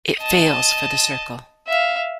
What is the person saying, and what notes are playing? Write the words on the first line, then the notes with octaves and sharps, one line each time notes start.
It fails for the circle.
D#5 A5
E5 F5